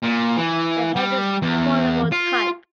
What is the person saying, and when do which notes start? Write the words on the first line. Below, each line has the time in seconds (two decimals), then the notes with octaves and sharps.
The head is portable type.
0.03 A#2
0.37 E3
0.96 G3
1.42 E2
2.12 F4